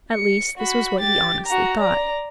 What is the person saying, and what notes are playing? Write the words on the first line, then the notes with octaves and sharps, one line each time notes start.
At least, this was what he honestly thought.
C#7
F#4 B5
G4 A6
F#4 A#5
D5 A#5